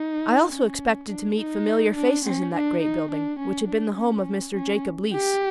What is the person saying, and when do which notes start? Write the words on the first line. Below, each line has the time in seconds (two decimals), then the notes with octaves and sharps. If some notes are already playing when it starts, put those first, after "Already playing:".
I also expected to meet familiar faces in that great building, which had been the home of Mr. Jacob Leese.
Already playing: D#4
0.52 C#4
1.09 D4
1.39 D#4
1.96 D4
2.25 C#4
2.54 D4
2.82 D#4
3.11 D4
3.39 C#4
3.68 D4
3.97 C#4
4.54 C#4
5.13 G4